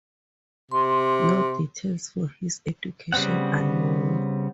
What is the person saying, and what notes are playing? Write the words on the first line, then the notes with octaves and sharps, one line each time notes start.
No details of his education are known.
C3 C6
C#3 G3 B3 C4 F#5